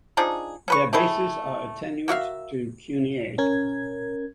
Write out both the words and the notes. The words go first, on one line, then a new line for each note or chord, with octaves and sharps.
Their bases are attenuate to cuneate.
F3 D4 D#4 G#4
C#4 B4 C#6
A3 C4 E4 G#4
A#3 F#4 E5 F5
C#4 A#4 G#6